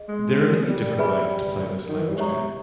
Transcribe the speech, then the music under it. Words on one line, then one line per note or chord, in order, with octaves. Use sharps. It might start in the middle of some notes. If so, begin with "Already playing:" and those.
There are many different ways to play this language game.
Already playing: G#4 D#5
G#3
G3
G#4 B4 E5 G#5 B5
D#3
E3
G3
G#3 G4 C#5 E5 A#5 C#6